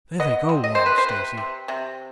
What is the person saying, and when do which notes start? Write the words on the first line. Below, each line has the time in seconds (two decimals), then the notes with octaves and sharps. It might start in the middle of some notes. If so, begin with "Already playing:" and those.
"There they go," warned Stacy.
0.20 B3 D#5
0.49 C3
0.64 D#5
0.75 C3 C5
0.86 B4
0.98 C5
1.09 C3 B4
1.38 C3
1.68 C3